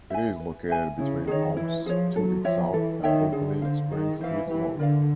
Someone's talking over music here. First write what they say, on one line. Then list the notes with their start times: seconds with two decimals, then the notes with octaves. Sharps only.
It is located between Omps to its south and Berkeley Springs to its north.
0.10 E5 G#5
0.40 B4
0.69 E5 G#5
0.98 C#3 E4
1.27 D#3 G#4 C#5
1.57 E3 E4
1.86 F3 G#4 C#5
2.16 F#3 A4
2.45 F3 C#5 E5 G5
2.74 E3 A4
3.03 D#3 C#5 E5 G5
3.32 D3 G#4
3.62 C5 F5
3.91 D#3 G#4
4.21 E3 C5 F5
4.50 E3 G4
4.79 D3 A#4 D5 F5